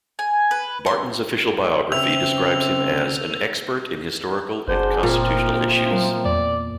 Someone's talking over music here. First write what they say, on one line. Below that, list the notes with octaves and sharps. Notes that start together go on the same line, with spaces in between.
Barton's official biography describes him as "an expert in historical and constitutional issues".
G#5
B4
C6
C#3 C4 B4 E5 E6 F7
F#1 D4 F#4 G#4 C5
A#2 F3 A3 C4 A#4
F#3 A#3
E2 D5